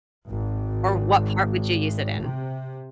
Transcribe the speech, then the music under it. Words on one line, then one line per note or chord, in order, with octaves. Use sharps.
Or what part would you use it in?
G#1
C3